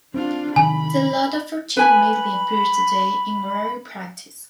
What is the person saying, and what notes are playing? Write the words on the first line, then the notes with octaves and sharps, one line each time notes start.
The Lot of Fortune mainly appears today in horary practice.
C4 D4 F4
C3 D#3 G#5 B5
B4 G#5 B5